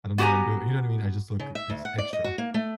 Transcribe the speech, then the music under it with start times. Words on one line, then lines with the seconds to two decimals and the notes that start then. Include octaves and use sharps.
I don't know what I'm doing, you know what I mean? I just look it's extra.
0.18 B3 F#4 G4 G5 G#5 A#5
1.40 C#3
1.55 E5
1.70 D2
1.85 F#5
1.98 D5
2.13 D#5
2.24 F#4
2.38 A#3
2.54 A3